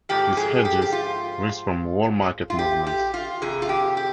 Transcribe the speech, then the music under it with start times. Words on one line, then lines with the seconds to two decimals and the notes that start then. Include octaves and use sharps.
This hedges risk from whole-market movements.
0.09 G#2 F3 G4
0.37 G#4
0.65 G4
0.82 G4
0.92 F4
2.50 F4
2.59 G4
2.87 G4
3.14 F4
3.42 F2 C3 G#4
3.62 F4
3.69 G4
3.97 G4